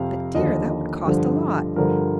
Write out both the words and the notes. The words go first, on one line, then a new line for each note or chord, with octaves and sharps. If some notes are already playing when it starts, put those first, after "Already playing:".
But, dear, that would cost a lot!
Already playing: F2 C3 F3 F5
D#2 D3 F3 D#5
G2 D3 F3
G2 D3 F3 A#4